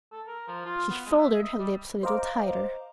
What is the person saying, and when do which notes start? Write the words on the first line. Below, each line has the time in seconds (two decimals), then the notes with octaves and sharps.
She folded her lips a little tighter.
0.12 A4
0.27 A#4
0.48 F3
0.66 F4
0.90 B3
1.06 G#3
1.18 E5
1.42 D#5
1.59 G3
2.03 C5 D#5 F5 A#5 D6